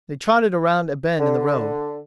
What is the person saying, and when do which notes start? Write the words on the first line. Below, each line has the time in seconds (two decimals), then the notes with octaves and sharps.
They trotted around a bend in the road.
1.20 D3